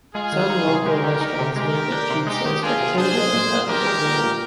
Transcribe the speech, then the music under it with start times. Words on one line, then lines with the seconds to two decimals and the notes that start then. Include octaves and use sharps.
Some local restaurants make their pizzas rectangular rather than round.
0.14 G#3 F4 G#4
0.32 D#3
0.50 D#4
0.68 C3
0.86 G#3 G4 A#4
1.04 D#3
1.21 D#4
1.39 C3
1.56 G#3 G4 A#4
1.75 D#3
1.92 D4
2.10 C3
2.27 G#3 D#4 G4
2.45 D#3
2.63 D4 F4 G#4
2.81 C3
2.98 D4 G#4 C5
3.16 G#3
3.33 A#2
3.52 A#2
3.69 D4 G4 A#4
3.86 G#3
4.05 A#2
4.23 A#2